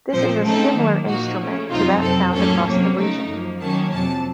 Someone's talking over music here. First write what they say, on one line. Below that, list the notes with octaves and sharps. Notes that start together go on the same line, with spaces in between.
This is a similar instrument to that found across the region.
A#2 F3 C4 C5
C#3 A3 C4 D#4 A4
D#3 F#3 A#3
A#2 F3 A#3 D#4 F#4
C#3 A3 C#4
F2 C3 F#3 C4 D#4 F4
F2 C3 F#3 C4 A4
A2 F#3 A#3 C#4 A4
C3 F#3 A#3 C#4
C#3 A3 D#4
F#2 F3 A#3
D#3 F#3 A#3 C#4 A5
F2 C3 F#3 A5